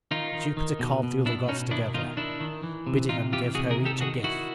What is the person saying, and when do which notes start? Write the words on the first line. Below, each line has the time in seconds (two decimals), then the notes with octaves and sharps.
Jupiter called the other gods together, bidding them give her each a gift.
0.11 D#3 D#4 F4
0.34 D#3
0.57 D#3
0.79 B2
1.03 B2
1.25 B2 D4 E4
1.48 B2 C#4 D#4
1.71 D#3 D4 E4
1.94 D#3 D#4 F4
2.17 D#3 D4 E4
2.41 D#3
2.63 E3
2.87 C3
3.09 C3 D#4 F4
3.32 E3 F4 G4
3.55 C3 F#4 G#4
3.70 G#4 A#4
3.78 D#3
3.85 G4 A4
4.00 D#3 F#4 G#4
4.23 D#3 E4 F#4